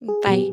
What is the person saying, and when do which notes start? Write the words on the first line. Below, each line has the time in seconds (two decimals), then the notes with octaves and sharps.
Mm, bye.
0.08 G#4
0.27 A#2 F#3 B3 G4